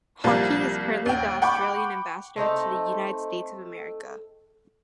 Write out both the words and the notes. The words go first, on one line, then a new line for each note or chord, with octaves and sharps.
Hockey is curreny the Australian Ambassador to the United States of America.
C2 F3 G3 A#3
D#2 G5
F#5 G5 B5 C#6 D6
A3 C4 D#4 A4